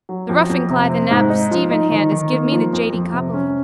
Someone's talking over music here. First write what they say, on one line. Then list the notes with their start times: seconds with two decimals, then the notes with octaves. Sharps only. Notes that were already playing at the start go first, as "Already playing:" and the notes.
The ruffin cly the nab of Stephen Hand as give me the jady coppaleen.
0.09 F#3
0.29 F2
0.50 F2
0.70 C3
0.90 C4
1.11 G#2
1.30 D#4
1.51 F3
1.71 D#4
1.91 D#3
2.12 D#3
2.32 A#3
2.52 F3
2.73 F2
2.93 F2
3.13 C3
3.33 C#4